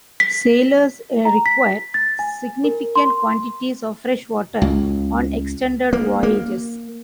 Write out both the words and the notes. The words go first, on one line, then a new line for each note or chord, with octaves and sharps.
Sailors require significant quantities of fresh water on extended voyages.
B6
A#5
B6
A6
G#5
A#4
C6
C#2
A#3
A#3